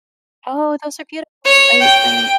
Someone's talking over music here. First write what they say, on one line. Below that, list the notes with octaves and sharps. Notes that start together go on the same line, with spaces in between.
Oh, those are beautiful. I My
C#5
G5